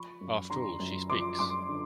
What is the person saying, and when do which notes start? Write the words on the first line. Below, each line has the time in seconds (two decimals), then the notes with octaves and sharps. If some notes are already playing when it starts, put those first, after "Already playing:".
After all she speaks!
Already playing: F3 B5 C#6
0.21 F#2
0.50 D3 A#5 C6
0.79 F#2
1.10 F3 C6 D6
1.39 F#2 C6 D6
1.69 D3